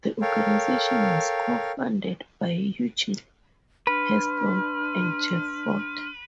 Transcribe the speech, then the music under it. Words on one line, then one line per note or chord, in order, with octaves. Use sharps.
The organization was co-founded by Eugene Hairston and Jeff Fort.
A4 A#4 C#5 F5 G5
D4 B4 C6 F6